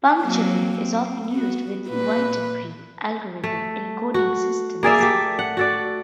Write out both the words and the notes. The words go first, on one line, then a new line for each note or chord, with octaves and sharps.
Puncturing is often used with the Viterbi algorithm in coding systems.
F#3 A#3 C4
C4
B3 F#4
A#2 B4
A3
F#4
A#3 G#4 D5 E5
A3 G4
F#5
F#4 A4 D5